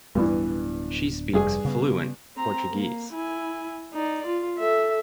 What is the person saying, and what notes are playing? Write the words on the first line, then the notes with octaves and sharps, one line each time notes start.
She speaks fluent Portuguese.
D1 G2 E3 B3 D4
F1 G2 G#4
C#3 B3
C4 A#5
A#3
E4 G#5
D#4 D5
F4
A4 E5